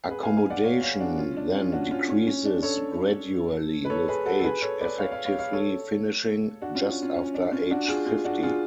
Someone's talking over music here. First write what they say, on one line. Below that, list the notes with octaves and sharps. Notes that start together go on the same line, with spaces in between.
Accommodation then decreases gradually with age, effectively finishing just after age fifty.
G#4 B4
F5 G#5
F5 G#5
D5 F#5
C#5 F5
C#5 F5
D4 F#4
C#4 F4
D4
C#4 F4
D4 F#4
C#4 F4
C#4
C#4
D4
A4 C#5
B4
A4 C#5
G#4 B4
F#4 A4
A4
G#4 B4
A4 C#5
B4 D5
C#5 F5
C#5 F5
C#5 F5
C#5 F5
A4 C#5
D4 F#4
C#4 F4
C#4 F4
C#4
D4
C#4 F4
D4 F#4
F4 G#4
F4 G#4
D4 F#4
F4 G#4